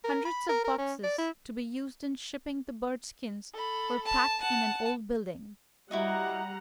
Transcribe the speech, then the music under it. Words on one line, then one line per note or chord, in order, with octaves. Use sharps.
Hundreds of boxes to be used in shipping the bird skins were packed in an old building.
A#4
B5
A#4
A#4
C#4
D5
E4
A4 B5
A5
F#5 A5
G3 E4 F#4 D#5 F#5 A#5